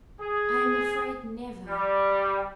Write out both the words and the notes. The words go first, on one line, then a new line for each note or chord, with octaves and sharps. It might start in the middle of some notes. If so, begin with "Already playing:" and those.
I am afraid never....
G#4
G3